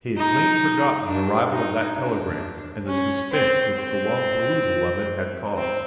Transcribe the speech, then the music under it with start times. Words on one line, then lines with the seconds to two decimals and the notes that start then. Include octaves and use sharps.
He had clean forgotten the arrival of that telegram and the suspense which the long perusal of it had caused.
0.17 D#4
1.06 D4
1.51 D#4
1.97 D4
2.87 C#4
3.32 C4
3.76 C4
5.56 C4